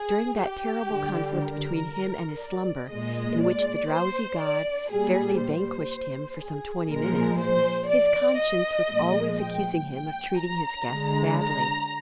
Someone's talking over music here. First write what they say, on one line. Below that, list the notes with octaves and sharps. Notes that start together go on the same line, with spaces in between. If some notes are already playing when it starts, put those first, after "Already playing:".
During that terrible conflict between him and his slumber, in which the drowsy god fairly vanquished him for some twenty minutes, his conscience was always accusing him of treating his guests badly.
Already playing: G#4
G4
D3 G3
A#4
D5
A#2 G#3 D#5
D5
C5
D5
A#2 G3 G#4
C5
G#4
A#2 F3 G#3 A#4
C5
D5
D#5
A#2 F3 G#3
G5
G5
A#5
D3 G#3
A#5